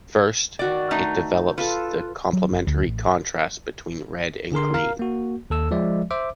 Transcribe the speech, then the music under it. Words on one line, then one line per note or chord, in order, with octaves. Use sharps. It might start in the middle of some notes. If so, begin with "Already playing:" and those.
First, it develops the complementary contrast between red and green.
D#3 F#4 D5 D6
A3 D#4
F4 A4 B4
F#3
F#1
D2
A1
D3 G#4 A#4 C6
A#4 F5
A#3 F#4
D#2 A4 E6
F3 G#3 D5 E5
C5 E5 D6